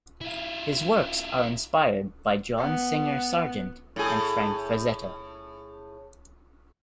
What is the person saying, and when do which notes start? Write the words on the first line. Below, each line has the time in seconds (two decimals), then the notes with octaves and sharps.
His works are inspired by John Singer Sargent and Frank Frazetta.
0.21 E4 F4
2.58 B3
3.96 A2 G#4